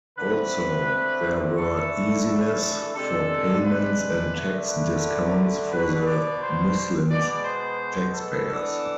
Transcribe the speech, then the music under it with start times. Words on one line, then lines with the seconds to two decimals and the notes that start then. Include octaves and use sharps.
Also, there were easiness for payments and tax discounts for the Muslims taxpayers.
0.18 D3 A3 C4 B4
1.56 E3 A3 D4 A4
2.26 A4
2.95 C3 G#3 D4 A4
3.65 B4
4.33 D3 A3 D4
4.68 B4
5.72 B2 B3 D4 B4
6.06 D5
6.42 C5
7.10 B2 G#3 B3 D5
7.45 C5
8.15 A4
8.48 E3 B3 D4